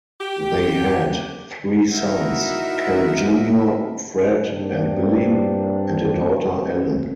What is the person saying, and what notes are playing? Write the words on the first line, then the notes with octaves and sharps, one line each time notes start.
They had three sons, Cal Junior Fred, and Billy; and a daughter, Ellen.
G4
D#4 E4 F#4 A#4 E5 F#5
G2 A#3 C4 D4